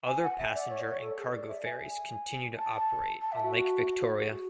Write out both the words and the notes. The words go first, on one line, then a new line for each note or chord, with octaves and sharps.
Other passenger and cargo ferries continue to operate on Lake Victoria.
G#5
F#5
E5
D5
C#5
C#5
A4
G#4
C#5
D5
E5
G#5
G#5
A5
A5
E5
F#4
G#4
F#4